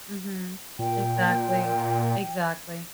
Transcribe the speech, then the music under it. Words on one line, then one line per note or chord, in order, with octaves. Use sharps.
Mhm. Exactly, exactly.
A#2 G5